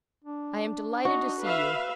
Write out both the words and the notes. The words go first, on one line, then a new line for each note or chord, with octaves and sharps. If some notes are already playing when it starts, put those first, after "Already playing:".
I am delighted to see you.
D4
D#4 F#4
B4 E5 F5